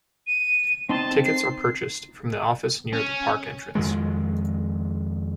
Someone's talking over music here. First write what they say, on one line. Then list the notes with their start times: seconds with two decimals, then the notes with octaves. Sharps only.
Tickets are purchased from the office near the park entrance.
0.27 D#7
0.89 C4 D#4 A5 C6
1.25 C7
2.93 C#4
3.75 F2 D#3 G#3